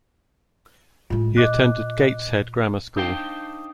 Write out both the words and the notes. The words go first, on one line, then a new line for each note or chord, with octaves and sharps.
He attended Gateshead Grammar School.
A2 G#3 F4
A#2 D#5 D6 F#6
D4 D#4 C5 F5 G5